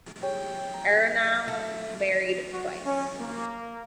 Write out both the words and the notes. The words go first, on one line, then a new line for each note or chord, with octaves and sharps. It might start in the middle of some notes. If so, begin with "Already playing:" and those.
Aronow married twice.
G4 G#4 C#5 G5
A#5
A3
F#4
C#4
A#3